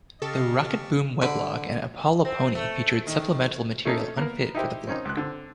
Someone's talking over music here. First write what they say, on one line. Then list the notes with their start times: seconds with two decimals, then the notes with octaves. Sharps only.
The Rocketboom weblog and Apollo Pony featured supplemental material unfit for the vlog.
0.22 C#3 G4 A4 D#5 F5 A5 C#6
1.22 D3 B5
2.25 C4
2.55 A3
3.07 D#3
3.85 A3 C#4 D#4 A4 A#4
4.17 A#3 B3 A#4
4.55 D#4 E4 G4 C5
4.87 C4 C#4 D#4
5.05 C#2 F#6
5.17 D3 C4